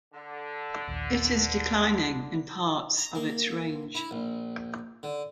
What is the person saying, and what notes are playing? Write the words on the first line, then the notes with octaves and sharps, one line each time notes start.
It is declining in parts of its range.
D3
A#1 D#2
A#5
A#3
E4
A#1
D3